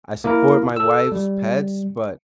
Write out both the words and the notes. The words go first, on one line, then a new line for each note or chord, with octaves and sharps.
I support my wife's pets, but
A#3 E4 A#4
A4 E6
G3